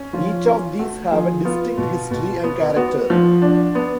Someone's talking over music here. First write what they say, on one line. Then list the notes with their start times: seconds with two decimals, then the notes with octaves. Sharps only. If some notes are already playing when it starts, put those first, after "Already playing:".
Each of these have a distinct history and character.
Already playing: C#4
0.13 F3 F4
0.47 C#4
0.79 A3 F#4
1.12 F3 G#4
1.45 B3 F4
1.77 B2
2.11 B2
2.44 B3
2.76 B3 F#4
3.10 F3
3.42 D4
3.75 B3